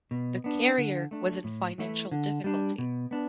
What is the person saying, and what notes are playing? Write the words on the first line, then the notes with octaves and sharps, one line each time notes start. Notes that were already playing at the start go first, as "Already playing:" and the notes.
The carrier was in financial difficulty.
B2
B3 D4
D3
A3 D4
A2
E3 A3 E4
D3
G3 D4
B2
B3 D4